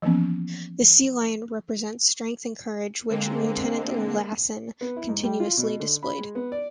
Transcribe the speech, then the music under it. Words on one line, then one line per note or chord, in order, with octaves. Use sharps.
The sea lion represents strength and courage which Lieutenant Lassen continuously displayed.
E3 F3 A#3 B3 C#4
D3 G#3 A#3 C4
B3
E4
G#2
G3
F4
B2
D3
B5
G#3
B3
D5